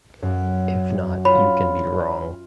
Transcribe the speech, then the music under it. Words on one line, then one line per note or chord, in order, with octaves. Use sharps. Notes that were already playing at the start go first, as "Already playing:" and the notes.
If not, you can be wrong.
F#2
F4 C#5 B5